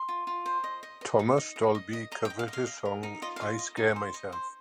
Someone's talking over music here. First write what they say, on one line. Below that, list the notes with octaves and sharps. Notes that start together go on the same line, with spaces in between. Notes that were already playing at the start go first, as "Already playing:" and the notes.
Thomas Dolby covered his song "I Scare Myself".
Already playing: C6
F4
F4
C5
D#5
D#5
D#5
D#4
D#5
D#5
D#5
D#5
D#5 A#5
G5
D#5
F5
D#5
F5
D#5
A#4
D#4
F4 D#5
F5
F4
D#5
D#4
C5
D#5
C5